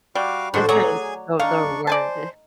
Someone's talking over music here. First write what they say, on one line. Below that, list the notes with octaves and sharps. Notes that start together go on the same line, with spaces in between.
difference the their word.
G3 F#4 F5 D6
A2 D4 F#4 C5
F#3 G#4 C#5 D5 F#5 G#5 A#5
D4 D#4 F5 C#6
C5 D5 G#5 A5